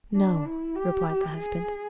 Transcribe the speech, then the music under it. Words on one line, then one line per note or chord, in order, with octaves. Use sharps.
"No," replied the husband.
D4
E4
G4
G#4